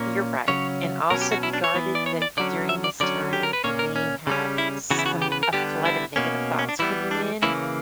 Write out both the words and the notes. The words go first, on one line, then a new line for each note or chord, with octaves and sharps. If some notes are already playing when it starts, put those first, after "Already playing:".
you're right and also be guarded that during this time you may have some a flood of negative thoughts coming in,
Already playing: A#2 A#3 C#4
C#3 F#3 C#4 C#5
B2 F#3 C#4 A#4
G4
F#4
E4
D4
C#5
E3 B3
D5
C#5
D5
D3 F#3 C#4 D5
E5
D5
D3 F#3 C#4 D5
G4
A#4
B4
A#2 A#3 C#4 C#5
A#4
C#4
C#3 G3 C#4
E4
C#3 E3 B3 F#4
E4
F#4
G4
B4
A#4
D3 G3 B3 G4
E4
B2 A#3 C#4
C#4
D4
E3 G3 B3 E4
D4
C#3 E3 A#3 C#4 E4